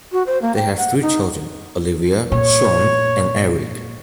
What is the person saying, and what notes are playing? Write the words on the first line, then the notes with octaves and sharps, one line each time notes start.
They have three children, Olivia, Sean and Eric.
F#4
C5
A#3
G5
F#5
D#4
A#2 C#5